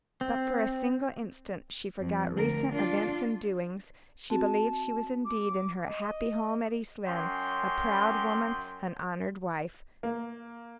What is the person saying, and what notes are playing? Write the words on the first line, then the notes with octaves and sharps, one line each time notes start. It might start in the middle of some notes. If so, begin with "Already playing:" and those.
But, for a single instant, she forgot recent events and doings, she believed she was indeed in her happy home at East Lynne, a proud woman, an honored wife.
C4
F2
D2 A#4
D4 F4
C4 F#4 A5
D6
D#5
F#2 C#4 G5 C6
A#3